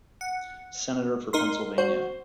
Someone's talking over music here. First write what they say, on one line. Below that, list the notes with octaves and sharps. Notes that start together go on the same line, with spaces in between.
Senator for Pennsylvania.
F#5
D#4 A#4 C6
F#4 C5